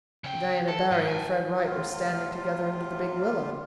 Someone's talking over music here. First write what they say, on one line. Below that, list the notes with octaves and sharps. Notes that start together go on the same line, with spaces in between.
Diana Barry and Fred Wright were standing together under the big willow.
C#3 G5
A4
G#2
G5 G#5
E2 A2 C3 F4